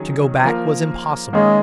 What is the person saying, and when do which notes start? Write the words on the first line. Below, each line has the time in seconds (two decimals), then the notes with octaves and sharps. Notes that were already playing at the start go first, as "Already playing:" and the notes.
To go back was impossible.
Already playing: D#3 F#3 C#4 G#4
0.43 F3 A#3 F4 A#4
1.33 D#3 G#3 A#3 C#4 G#4